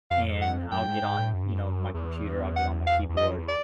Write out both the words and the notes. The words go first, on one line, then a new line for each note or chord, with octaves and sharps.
and I'll get on, you know, my computer, I'll get on my keyboard
F2 F5
F#5
F#2 G5
G#2
G#2
A2
F#2
G2
F#2
E2
F#5
F5
E2
F2 D#5
E2
D5